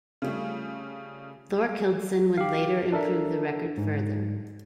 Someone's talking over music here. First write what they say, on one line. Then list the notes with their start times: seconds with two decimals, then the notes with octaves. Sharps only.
Thorkildsen would later improve the record further.
0.22 C#3 F3 G3 A3
2.38 G4 F5
2.92 D4 A4 A#4 E5
3.78 G#2